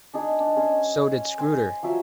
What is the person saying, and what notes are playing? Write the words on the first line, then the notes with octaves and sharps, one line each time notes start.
So did Scudder.
D4 D#4 G#4
D4
C#4 G#4 C5 D#5
C5 G5 G#5
F3 F#3 E5 D#6